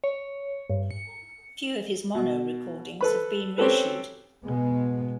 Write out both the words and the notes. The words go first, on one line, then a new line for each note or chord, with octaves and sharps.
Few of his mono recordings have been reissued.
C#5
G2
C#7
B2
A4 B4 B5
C4 C#4 G4 A4 B4
B2 G#3 B3